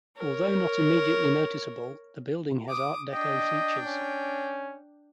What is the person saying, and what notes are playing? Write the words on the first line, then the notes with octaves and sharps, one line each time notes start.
Although not immediately noticeable, the building has Art Deco features.
A#4 C#5
D6 D#6
D4 D#5 G5
C#4